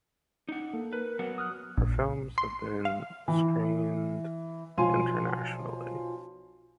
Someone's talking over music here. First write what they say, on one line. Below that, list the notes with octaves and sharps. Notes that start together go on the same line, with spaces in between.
Her films have been screened internationally.
D#4 F#5
A#3 A4
A#4 B4
F#3 B3 F#5
D#6 F6 F#6
A#1
C6
F5
E3
B1 F3 F5 G#5 C6 D#7